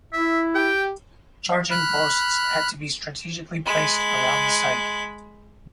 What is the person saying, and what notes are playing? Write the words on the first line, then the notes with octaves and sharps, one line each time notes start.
Charging posts had to be strategically placed around the site.
E4 E5
G4 G5
B5 F6 F#6
G#3 B5